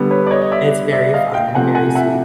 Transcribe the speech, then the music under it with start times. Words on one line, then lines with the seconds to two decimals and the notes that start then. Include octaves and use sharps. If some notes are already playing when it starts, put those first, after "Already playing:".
It's very fun and very sweet.
Already playing: D3 G3 B3
0.11 B4 C#5
0.27 D5
0.31 C#5 D#5
0.42 D#5
0.51 D5 E5
0.93 D5 E5
1.14 D#5 F5
1.34 F5 G5
1.48 G5
1.54 C3 F3 A3 C4 F#5 G#5
1.75 F#5 G#5
1.95 E5 F#5